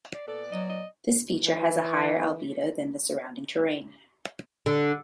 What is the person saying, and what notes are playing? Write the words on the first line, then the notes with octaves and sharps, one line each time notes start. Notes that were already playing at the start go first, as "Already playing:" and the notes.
This feature has a higher albedo than the surrounding terrain.
D5
A#2 B3 A4 D5
F#3 D#5
D#5
E3
D3